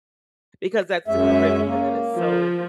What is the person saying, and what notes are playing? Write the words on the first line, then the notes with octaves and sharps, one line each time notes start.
because that's the Caribbean, that it's so,
F#2 G#3 C#4 E5
A#3
F3